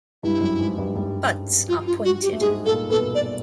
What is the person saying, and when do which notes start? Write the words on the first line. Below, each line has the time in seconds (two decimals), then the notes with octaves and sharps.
Buds are pointed.
0.23 G2 G3 E4
0.41 F#2 F#3
0.59 G#2 G#3
0.78 G2 G3
0.95 G2 G3
1.68 F4
1.87 F4
2.05 F#4
2.23 G4
2.33 A3
2.41 G#2 G#3 G#4
2.65 A#2 A#3 A4
2.89 B2 B3 A4
3.15 D5